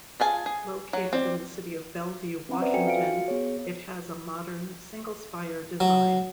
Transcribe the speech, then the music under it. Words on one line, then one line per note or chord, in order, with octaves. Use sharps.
Located in the city of Bellevue, Washington, it has a modern single-spire design.
F4 G#4 G#5 A5
G#4
F#3
C4 D5
C4 C#4 F#5 A#5
B4 C5 D5 E5
F#4 A4 G5 G#5 C#7
F4 F5 C#7 D7
F#4
B3 G#4 C#5
F#3